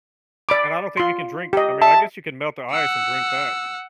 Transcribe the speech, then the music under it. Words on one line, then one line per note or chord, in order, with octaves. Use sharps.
And I don't think you can drink I mean, I guess you can melt the ice and drink that.
D5 B5 D6
F4 C6
G4 D#5
E5 A5
F#5 E6